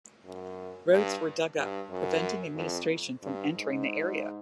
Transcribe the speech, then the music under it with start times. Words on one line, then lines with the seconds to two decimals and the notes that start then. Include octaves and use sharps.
Roads were dug up, preventing administration from entering the area.
0.25 F#2
0.91 G2
1.58 G2
1.90 F#2
2.56 F2
3.23 G2
3.56 G#2